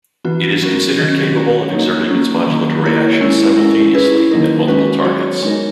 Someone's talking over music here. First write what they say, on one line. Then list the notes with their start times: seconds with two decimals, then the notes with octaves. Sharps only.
It is considered capable of exerting its modulatory actions simultaneously at multiple targets.
0.24 E3 B3 F#4
0.62 F#3 C#4 F#4 A#4
0.98 D#3 F#3 C#4
1.36 C#4 F#4 A#4 C#5
1.72 F#3 A#3 D#4
2.10 F#3 A#3 C#4
2.47 D#3 F#3 A#3
2.83 A#3 E4 A#4 C#5
3.20 G#3 C#4 E4
3.57 G#3 C#4 E4 A#4
3.94 C#4 E4 G#4 B4
4.31 D#3 F#3 A#3 D#4 A#4
4.67 G#3 C#4 F#4 B4
5.05 F#3 B3 F#4 C#5
5.42 G#3 D#4 A#4